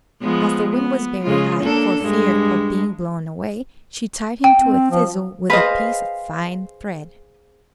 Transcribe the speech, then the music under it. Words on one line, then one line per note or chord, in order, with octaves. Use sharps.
As the wind was very high, for fear of being blown away, she tied him to a thistle with a piece of fine thread.
F3 G#3 B3
B3
C#3 G#3 F4
A#3 D4 A4
G2 G#3
G5
C4
F3
G#4 B4 C5 D#5 F5